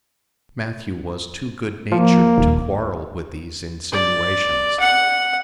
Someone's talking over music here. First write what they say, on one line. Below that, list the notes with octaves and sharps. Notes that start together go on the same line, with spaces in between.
Matthew was too good natured to quarrel with these insinuations.
F3 A#3
D#1
D5
F#5